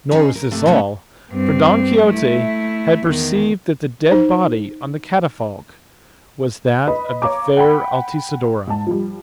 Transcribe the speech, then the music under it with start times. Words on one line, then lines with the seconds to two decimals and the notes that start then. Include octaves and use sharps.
Nor was this all, for Don Quixote had perceived that the dead body on the catafalque was that of the fair Altisidora.
0.11 C#4 D#4 G#4 C5
0.35 A#4
0.51 G2 C3 D#3 A3
0.66 B2 F#3 G3 A3 B3 C#4
1.32 G2 C4
2.04 A3 E4
3.06 E2 D#3
4.11 D#4 C5
6.88 B4 D#5 B5
7.22 C#5 F5 A#5 D6
7.57 F#5 G5 B5
8.67 G#2 A5
8.87 F3 G3